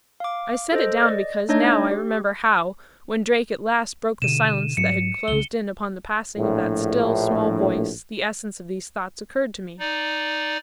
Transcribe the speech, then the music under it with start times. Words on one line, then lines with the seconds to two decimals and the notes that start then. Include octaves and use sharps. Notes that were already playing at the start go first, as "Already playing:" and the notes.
I set it down because now I remember how, when Drake at last broke the silence that had closed in upon the passing of that still, small voice the essence of these thoughts occurred to me.
0.20 F5 D6
0.72 A4 C5 D#5
1.02 D5 D#5
1.49 A3 D4 D#4 C#5 D#5 G6
1.91 G4
4.22 B2 D3 D#7 E7
4.77 G#2 F#3 C#7
5.28 C2 C#3 G7
6.36 A#1 A2
9.79 D#4 D5